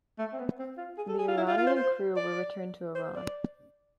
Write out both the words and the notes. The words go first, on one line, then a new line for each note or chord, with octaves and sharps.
The Iranian crew were returned to Iran.
A3
C4
B3
C4
F4
G#4
A4
G#4
F4
E4
F4
F4
C5
C5
D5
C5
D5